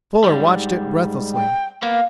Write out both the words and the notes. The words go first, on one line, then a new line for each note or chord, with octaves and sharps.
Fuller watched it breathlessly.
G#2 G3
G5
A#3 B3 F5